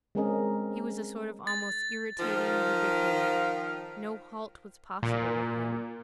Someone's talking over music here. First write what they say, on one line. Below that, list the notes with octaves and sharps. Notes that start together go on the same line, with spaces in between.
He was a sort of almost irritating ubiquity; no halt was possible with him.
G#3 C4 C#4 G#4 A#4 D#5
A6
D#3 F3 F4
A#2